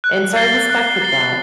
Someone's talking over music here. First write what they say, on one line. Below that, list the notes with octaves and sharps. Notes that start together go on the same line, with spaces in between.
and so I respected that,
F#6
A6 C7 G7
F#6
A6 C7 G7